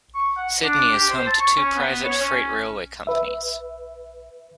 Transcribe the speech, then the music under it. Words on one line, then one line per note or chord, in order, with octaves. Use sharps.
Sydney is home to two private freight railway companies.
C#6
F#5
D4
G4
C5
A5
C#6
C#4
B3
C#5
C#4
B4 E5